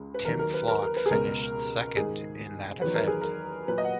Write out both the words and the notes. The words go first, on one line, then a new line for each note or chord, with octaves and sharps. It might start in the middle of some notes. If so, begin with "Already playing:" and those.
Tim Flock finished second in that event.
Already playing: C#2 C#3 G#3
B4
D#2 D#3 F#3 A#4
A#4
B4
A#4
A#4
B4
G#4
C#2 B2 G#3 A#4
G#2 D#3 G#3 G#4
E2 D#3 F#3 B4
A#4
G#4
A#4
A#2 F#3 B4
D#5
F#5